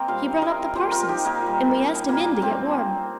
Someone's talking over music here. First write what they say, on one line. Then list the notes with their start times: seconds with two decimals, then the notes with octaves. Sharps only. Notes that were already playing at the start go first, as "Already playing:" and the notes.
He brought up the parcels, and we asked him in to get warm.
Already playing: A#3 C4 A#4 D#5
0.08 A#2 G3 C5 F5
0.42 A#4 D#5
0.75 A#2 F3 G4 C5
0.91 F4 A#4
1.08 D#4 G4
1.25 A#3 D#4
1.41 A#2 G3
2.09 A#2 G3 A#3
2.42 C4